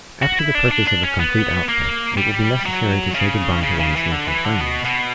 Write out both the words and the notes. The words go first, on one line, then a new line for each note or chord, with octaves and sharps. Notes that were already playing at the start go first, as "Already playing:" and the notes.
After the purchase of a complete outfit, it will be necessary to say goodbye to one's local friends.
F#4
E4
D4
D4
D4
C#4
B3
A#3
G3
F#3
C#3
C#3
C#3
E3
D3
E3
D3
B2
B2